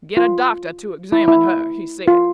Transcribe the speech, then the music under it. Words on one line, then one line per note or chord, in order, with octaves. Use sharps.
"Get a doctor to examine her," he said.
F4
E4
E4
F4